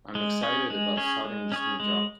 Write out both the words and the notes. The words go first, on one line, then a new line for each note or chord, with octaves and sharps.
I'm excited about starting this new job.
G#3
C#4 G#4 C#5
G#3
C#4 G#4 C#5
G#3
C#4 G#4 C#5
G#3